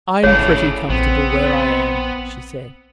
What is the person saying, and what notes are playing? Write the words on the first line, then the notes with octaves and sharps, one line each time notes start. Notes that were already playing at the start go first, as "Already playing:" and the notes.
"I am pretty comfortable where I am," she said.
G#1 A2 C#3 D4 C#5 F5
A#1 B3 C4